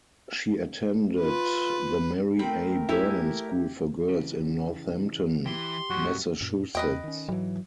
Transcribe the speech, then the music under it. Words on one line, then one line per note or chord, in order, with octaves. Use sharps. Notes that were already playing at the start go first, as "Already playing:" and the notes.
She attended the Mary A. Burnham School for Girls in Northampton, Massachusetts.
F4 B4
A3 C4 A#4 G5 B5
E4 G4 E5 G#5 B5
C#3 E3
E3 G4 C6
F#2 A2 F#4
F#2 A#2
E2 B4 D#5 G5
D#3 C#4
G#2 E3 F#3